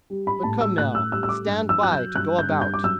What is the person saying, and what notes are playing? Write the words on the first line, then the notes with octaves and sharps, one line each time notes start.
But come now, stand by to go about.
G3
B5
A2 A5
E6
A2 F#6
E6
G3 E6
E6
D6
G2
E6
F#3 F#6
G6
G2 F#6
G6
G2
G6
D6
F#3 E6